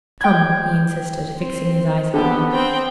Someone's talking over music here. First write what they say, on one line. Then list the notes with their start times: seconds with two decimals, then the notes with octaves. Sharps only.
"Come," he insisted, fixing his eyes upon her.
0.21 G5 G#6
1.38 C4
2.14 D3 B3 G4 A4
2.52 C4 G5